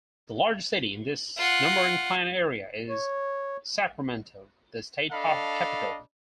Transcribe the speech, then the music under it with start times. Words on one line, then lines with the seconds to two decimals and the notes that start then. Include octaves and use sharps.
The largest city in this numbering plan area is Sacramento, the state capital.
1.38 F4 F#5
2.89 C#5
5.12 D4 A4 D#5 F5 B5